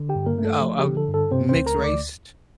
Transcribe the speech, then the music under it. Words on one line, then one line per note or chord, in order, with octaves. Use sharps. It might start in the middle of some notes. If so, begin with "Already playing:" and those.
Oh, um, mixed raced?
Already playing: D3
G4 G5
G2
A#3 A#4
A3
A4
F3
G4
D3
A4
G2
A4
C3 C4 C5
C4 C5
D2
A#4 A#5
D2
D5 D6